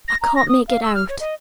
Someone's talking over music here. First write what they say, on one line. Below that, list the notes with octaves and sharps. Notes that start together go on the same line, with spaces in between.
I can't make it out.
A#6
A#5
A#6
D#6
F5
E6
F6
C#5
D#5